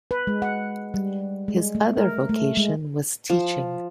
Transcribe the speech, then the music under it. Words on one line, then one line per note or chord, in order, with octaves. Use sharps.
His other vocation was teaching.
B4
G#3
F#5
G3
G#3
A3
A#4
A3
G#3
F3